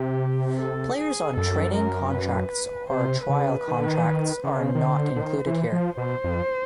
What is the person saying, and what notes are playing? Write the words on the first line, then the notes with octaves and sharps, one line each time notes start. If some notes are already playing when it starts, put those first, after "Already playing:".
Players on training contracts or trial contracts are not included here.
Already playing: C3 G4
A4
G#4
F#2 A4
A#4
B4
C3 C5
C#3 B4
D#3
D3
D#3
E3
D#3
C#3 C5
D#3
D3
D3
D#3
E3
F3
B2 C5
F2